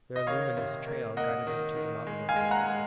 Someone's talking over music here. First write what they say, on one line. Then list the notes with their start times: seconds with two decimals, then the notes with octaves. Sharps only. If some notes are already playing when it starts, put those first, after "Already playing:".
Their luminous trail guided us to the Nautilus.
0.16 D#5
0.27 D#3 C#5 F5
0.57 C3
0.87 A#3
1.17 A#3 D#5 F#5
1.47 D#3
1.76 D#3
2.07 G#3
2.29 F5 G#5
2.36 G#3
2.51 F#5 A#5
2.66 G#3